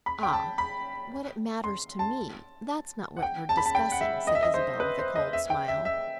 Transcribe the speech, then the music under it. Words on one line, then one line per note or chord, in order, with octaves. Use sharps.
"Ah, what it matters to me--that's not what we're discussing," said Isabel with a cold smile.
B5
G5
A5
B5
C6
A5
F#5
G5
A5
B5
A5
G5
F#5
E5
D#5
E5
D#5
C5
B4
C5
D#5
E5
G5
E5
E5